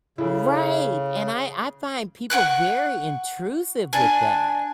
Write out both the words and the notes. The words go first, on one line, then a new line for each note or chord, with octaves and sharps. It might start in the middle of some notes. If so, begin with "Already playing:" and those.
Right, and I I find people very intrusive with that.
C#3 E4 A4
F#5 G5 C#6 F#6
D4 G#5